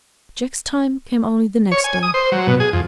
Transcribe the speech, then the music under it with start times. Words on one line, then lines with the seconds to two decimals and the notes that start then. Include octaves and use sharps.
Jack's time came only the next day.
1.72 C#5
1.84 G#5
2.03 D#6
2.14 C5
2.32 F#3
2.47 B2
2.60 G#4
2.73 F2